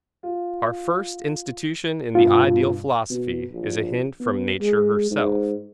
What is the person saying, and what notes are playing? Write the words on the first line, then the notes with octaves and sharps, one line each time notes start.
Our first institution in the Ideal philosophy is a hint from nature herself.
F4
G2 B2 F4
B2
A#1
B3
G#3
G#2